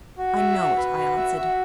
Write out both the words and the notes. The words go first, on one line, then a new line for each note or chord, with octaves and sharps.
'I know it,' I answered.
F#4
E5
F#4
B4
F#4
E5
F#4